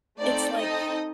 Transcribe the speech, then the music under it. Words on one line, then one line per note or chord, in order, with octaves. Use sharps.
it's, like
A3 C4 D#4 A4 D5
C4 D#4 A4 D#5